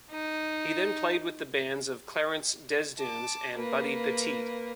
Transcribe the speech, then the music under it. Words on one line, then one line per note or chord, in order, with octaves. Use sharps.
He then played with the bands of Clarence Desdunes and Buddy Petit.
D#4
A5 D6
A#3 B4